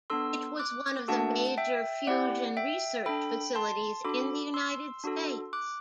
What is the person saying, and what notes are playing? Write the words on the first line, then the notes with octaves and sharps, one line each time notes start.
It was one of the major fusion research facilities in the United States.
B3 D4 A4 C6 E6
D6 F#6
A3 D4 F#4 A4 F#5 A5
E5 G5
C4 E4 G4 D5 F#5
E5 G5
D4 A4 G5 B5
A5 C6
D4 F#4 A4 B5 D6
C6 E6
D4 F#4 A4
D6 F#6